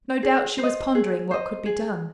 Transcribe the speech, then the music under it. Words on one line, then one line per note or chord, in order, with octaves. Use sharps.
No doubt she was pondering what could be done.
G#4
C5
D#5
G#4
C5 D#5
G#4